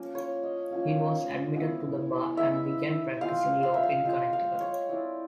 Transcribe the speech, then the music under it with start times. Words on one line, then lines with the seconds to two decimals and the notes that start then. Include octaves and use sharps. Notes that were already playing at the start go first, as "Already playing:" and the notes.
He was admitted to the bar and began practicing law in Connecticut.
Already playing: F3 A#3 C#4
0.15 C#5
0.43 D#5
0.71 F3 A#3 C#4
1.54 G#3 B3 E4
2.37 G#3 B3 E4 E5
3.21 G#3 C4 F4 F5
3.63 F5
3.74 E5
3.83 F5
4.05 G#3 C4 F4
4.33 F5
4.61 C#5
4.89 G#3 C4 E4 D5